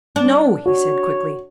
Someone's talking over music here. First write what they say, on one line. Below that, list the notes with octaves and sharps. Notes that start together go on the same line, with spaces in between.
"No!" he said, quickly.
D4
F#4 C#5